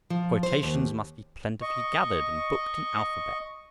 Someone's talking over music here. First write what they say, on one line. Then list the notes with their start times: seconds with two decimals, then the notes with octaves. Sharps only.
Quotations must be plentifully gathered and booked in alphabet.
0.10 F3
0.43 C5
0.63 D#2
1.62 D#5 C#6